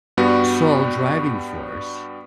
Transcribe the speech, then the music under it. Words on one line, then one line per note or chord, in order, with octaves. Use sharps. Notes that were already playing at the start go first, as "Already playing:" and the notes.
sole driving force
G2 G3 B3 F#4